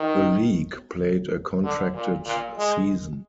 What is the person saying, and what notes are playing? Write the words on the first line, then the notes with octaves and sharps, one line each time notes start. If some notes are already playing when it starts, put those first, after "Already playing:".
The league played a contracted season.
Already playing: D#3
D3
A#2
A#2
G#3